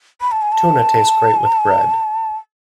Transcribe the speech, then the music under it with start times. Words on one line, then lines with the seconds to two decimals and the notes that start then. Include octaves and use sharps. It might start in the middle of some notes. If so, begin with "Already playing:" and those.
Tuna tastes great with bread.
0.21 B5
0.31 A5
0.42 G#5
0.52 A5